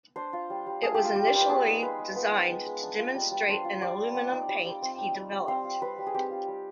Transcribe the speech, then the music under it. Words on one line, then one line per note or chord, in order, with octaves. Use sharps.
It was initially designed to demonstrate an aluminum paint he developed.
D4 C5
F4
G3
G3
D4 G#4
F4 G4
F4
G3 G4
D5
G3 C5
B4
B3 G#4
D#4
G#3 B4
G#3
B3 B4
D#4
G#3
G#3
D4
F4
G3
G3
D4 C5
F4
G3 D5
G3
C4
D#4
G3
G3
C4
D#4
G3
G3
C4 C5
F4
G3 B4
G3
G#4
C4 G4
F4
G3